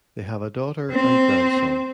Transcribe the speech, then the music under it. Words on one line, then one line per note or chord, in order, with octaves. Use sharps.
They have a daughter and grandson.
C4